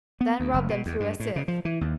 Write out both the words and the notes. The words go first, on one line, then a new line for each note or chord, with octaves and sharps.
Then rub them through a sieve.
B3
D2
F#1
B2
E2
G2
A2
C#3
F3
E3
D#2